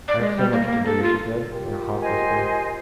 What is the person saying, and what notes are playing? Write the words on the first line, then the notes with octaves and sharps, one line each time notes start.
"I have so much to do," she said, in a half-whisper.
D5
G#3
G3
A#3
A#3
A4
F4
F4 G4 A#4
C5 D#5 G#5